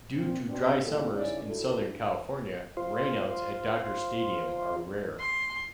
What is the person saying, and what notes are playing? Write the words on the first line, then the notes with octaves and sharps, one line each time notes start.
Due to dry summers in Southern California, rainouts at Dodger Stadium are rare.
A#2 C4
B2 C4 D4
A2 D#3 G3 A#3 F4 A4
G2 C#3 C#4 D#4 E4 D5
D4 E4 F#4 A4
F4 C5
C6